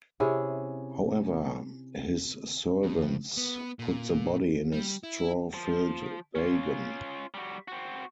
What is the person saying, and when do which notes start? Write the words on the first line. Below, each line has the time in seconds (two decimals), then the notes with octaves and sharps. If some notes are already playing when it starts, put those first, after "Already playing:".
However, his servants put the body in a straw-filled wagon.
0.20 C3 C#4 E4 G#4
2.83 F2
3.37 B3
3.79 A#2
4.72 G3
5.03 E4
5.54 F3
6.35 C#4 F4
7.34 G3 F#4
7.68 C4 F#4